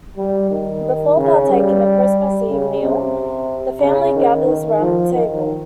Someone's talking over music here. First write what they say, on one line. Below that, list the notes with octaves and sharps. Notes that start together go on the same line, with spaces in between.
Before partaking of the Christmas Eve meal, the family gathers around the table.
G3
D#3
C#3
G3
C#3
C3
C#3
D#3
D#3
F3
D#3